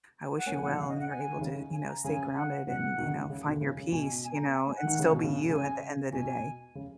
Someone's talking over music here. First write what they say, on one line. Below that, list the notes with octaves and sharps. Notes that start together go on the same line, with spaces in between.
I wish you well and you're able to, you know, stay grounded and, you know, find your peace, you know, and still be you at the end of the day.
F#5
A#3 C#4 G#5
C#3 F3
F#5
B2 D#3
C#3 F5
D#5
F#5
G#5
D#3
C#3
G#5
A#5
C#3 G#5
F#5
B2 F#5
B2 D#3
C#3
C#3
B2 D#3
C#3
C#3
B2 G#5
G#5
A#5
G#5
G#5
F#5
D#3
C#3
B2
C#3
C#3 G#5
B2 G#5
C#3